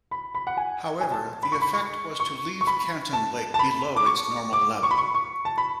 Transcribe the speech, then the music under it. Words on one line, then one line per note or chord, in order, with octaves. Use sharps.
However, the effect was to leave Canton Lake below its normal level.
B5
B5
F#5
G#5
G#5
A5
B5
C#6
B5
C#6
C#6
C#6
B5
A5
A5
B5
D6
C#6
D6
C#6
B5
C#6
C#6
A5
B5